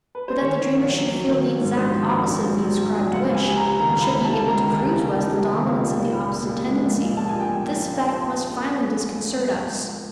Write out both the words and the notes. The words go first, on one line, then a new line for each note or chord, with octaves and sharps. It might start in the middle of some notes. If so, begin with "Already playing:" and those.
But that the dreamers should feel the exact opposite of the ascribed wish, and should be able to prove to us the dominance of the opposite tendency--this fact must finally disconcert us.
B4
C5
D#3 C#5
D#3
A#1
F#3
F#3
D#3
F#3
G#2
A#1 C5
D#3
A#1
F#3
G#2
F#3
F#3
A#1
C#2 F#5
C#2
G#5
C3
A#5
C3
D#3 A#5
C#2 B5
D#3
A5
C#2
C#2 A#5
D#3
C3
C#2
C#2
C3
D#3
C#2
A#2
A#2
A#2
A#2
A#2
G#3
A#1
A#2
A#2 A5
A#1 G#5
G5